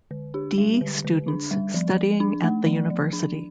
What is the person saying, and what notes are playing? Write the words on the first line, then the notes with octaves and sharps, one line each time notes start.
D. students studying at the university.
D3
D4 G4
G3
D3
D3
D4
G3
F3
F3
D4
A3
F3
F3
D4